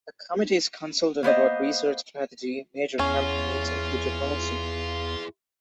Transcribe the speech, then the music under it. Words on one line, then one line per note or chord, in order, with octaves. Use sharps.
The committee is consulted about research, strategy, major campaigns and future policy.
A#3 B3 C5 D#5
E2 C#4 E4 F4 G#4